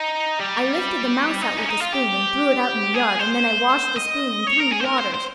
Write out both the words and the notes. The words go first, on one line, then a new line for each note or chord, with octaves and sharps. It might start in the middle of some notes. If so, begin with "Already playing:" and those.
I lifted the mouse out with a spoon and threw it out in the yard and then I washed the spoon in three waters.
Already playing: D#4
G3
D#4
C#4
D#4
F4
G4
G#4
C5
D#5
C#5
A#4
G#4
C5
A#4
C5
C5